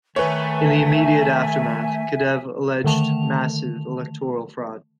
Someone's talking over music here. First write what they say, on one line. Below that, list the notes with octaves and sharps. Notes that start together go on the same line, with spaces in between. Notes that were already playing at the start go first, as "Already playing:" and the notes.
In the immediate aftermath, Kedev alleged massive electoral fraud.
D#3 A3 B4 C#5 E5 G#5
D3 D#3 A3 A5 F7